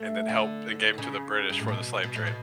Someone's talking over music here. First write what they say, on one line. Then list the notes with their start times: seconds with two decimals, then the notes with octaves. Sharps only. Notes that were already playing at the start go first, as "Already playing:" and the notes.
and then helped and gave 'em to the British for the slave trade,
Already playing: A3
0.29 D3
0.98 C#3
1.50 G2
1.59 A2
1.68 B2
2.03 B2
2.16 A2
2.27 B2